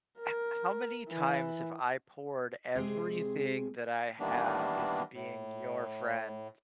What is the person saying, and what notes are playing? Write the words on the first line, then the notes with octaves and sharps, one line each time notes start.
"H how many times have I poured everything that I have into being your friend
A#4
E3
C3 G#3 C4 G#4
D#3 E3 G3 A#3 B3 D4
A2